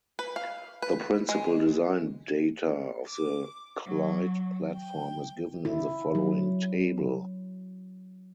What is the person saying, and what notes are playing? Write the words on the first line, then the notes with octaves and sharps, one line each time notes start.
The principal design data of the Clyde platform is given in the following table.
B4
F5
B4
G#3
D6
F#3
G5
E4
F#3